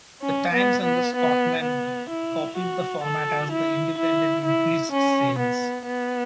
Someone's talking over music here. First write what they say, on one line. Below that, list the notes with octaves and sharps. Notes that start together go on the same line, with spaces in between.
"The Times" and "The Scotsman" copied the format as "The Independent" increased sales.
C#4
B3
B3
B3
B3
E4
F#4
A4
E4
E4
E4
C#4
B3
B3